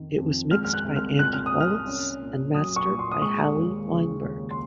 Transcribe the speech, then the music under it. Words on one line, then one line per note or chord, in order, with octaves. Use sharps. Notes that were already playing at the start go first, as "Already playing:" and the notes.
It was mixed by Andy Wallace and mastered by Howie Weinberg.
Already playing: F2 D#3
F2
G#3 F6
F6
F#6
C2
F6
A#2 F#6
F6
D#6
C2
F6
C#4
A#2
F#3 D#6
C#6
A#2
C6
D#6
G#3 C#6
D#2
C#3
D#2
C6